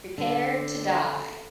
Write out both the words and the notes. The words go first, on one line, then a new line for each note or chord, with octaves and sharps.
Prepare to die.
D3